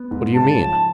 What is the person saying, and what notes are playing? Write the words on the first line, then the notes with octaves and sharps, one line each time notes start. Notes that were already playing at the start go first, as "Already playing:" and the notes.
What do you mean?
Already playing: B3
G#2
C#3 A5
F3